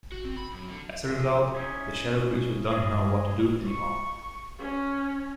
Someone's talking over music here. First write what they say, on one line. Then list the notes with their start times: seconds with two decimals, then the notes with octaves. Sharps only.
As a result, the shadow creatures don't know what to do anymore.
0.12 F#4
0.25 C4
0.37 B5
0.52 F#2
0.70 D3
1.07 D3 F3 G#3
1.55 C#4 D#4 E4
2.71 G2 G#3 D4 G#4
3.66 C#6
4.59 C#4